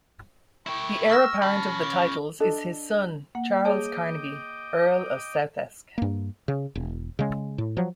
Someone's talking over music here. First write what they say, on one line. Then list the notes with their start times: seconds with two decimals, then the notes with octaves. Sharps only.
The heir apparent of the titles is his son, Charles Carnegie, Earl of Southesk.
0.66 E4 G5 C#6
1.10 C#6 E6 F6 A#6
1.42 C#4 A5 B5
1.83 C#6 D6
2.40 D4 A4 D#5
3.35 A#3 F#5
3.65 G#4 C#5 D#5 G5 A5 D6
5.98 G2 A#3
6.48 C#3
6.75 E1
7.19 C#3 G#3
7.58 A2
7.77 F3 F#3